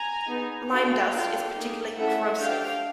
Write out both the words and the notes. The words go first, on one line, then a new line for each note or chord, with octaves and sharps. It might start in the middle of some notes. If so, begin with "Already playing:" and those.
Lime dust is particularly corrosive.
Already playing: G#5 A#5
B3 D#4 G#4
B3 D4 F#4 A4 F5 G5
D4 F4 A4
A#3 D#4 G#4
A3 C#4 E4 A4 E5 F#5
D4 G4 F5 G5